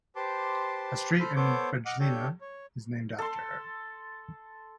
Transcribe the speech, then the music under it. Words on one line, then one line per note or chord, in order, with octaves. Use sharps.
A street in Bijeljina is named after her.
G4 B4 C5 A5 C6 D6
A4 C5 B5 F6 G6
B3 A4 C5 C#5 D6 G6
D#5 F#5 D6 F6
D4 G4 A4 C#5 G6
C#5
A4 C6